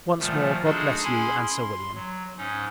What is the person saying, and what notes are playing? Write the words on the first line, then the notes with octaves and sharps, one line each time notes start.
Once more, God bless you and Sir William.
A#2 D#3 F3 G3 A3
G#3 D4 D#4 F#4 G#4 A4
C#4 E4 G#4 G#5 B5 C6
C6
F#3
G#2 C#4 D#4